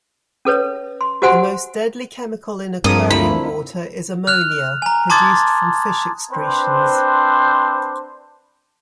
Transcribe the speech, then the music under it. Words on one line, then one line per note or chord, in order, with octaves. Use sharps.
The most deadly chemical in aquarium water is ammonia, produced from fish excretions.
C#4 A4 B4 C#5
C6
F#4 G4 C5 F#5 G#5 C6
G2 F3 C4 D4 G#4 A#4 D5 D#6
D2 A3 E4 F4 B5
F6 F#6 F7
G#5 A#5
A5 C6 D6 D#6 G#6 A6
C4 D4 B4 C5